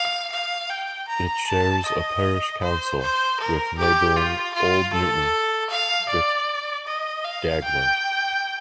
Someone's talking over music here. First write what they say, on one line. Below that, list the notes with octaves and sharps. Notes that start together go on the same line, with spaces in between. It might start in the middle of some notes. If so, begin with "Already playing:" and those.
It shares a parish council with neighbouring Old Newton with Dagworth.
Already playing: F5
F5
G5
A#5
A5
D#5
C5
C5
A#4
G4
F4
F4
A4
F5
D5
D#5
F5
G5